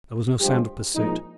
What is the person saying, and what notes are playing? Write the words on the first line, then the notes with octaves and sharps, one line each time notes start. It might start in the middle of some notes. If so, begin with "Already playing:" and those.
There was no sound of pursuit.
G2 F3 G#3 G4
A#2 F3 G#3 D#4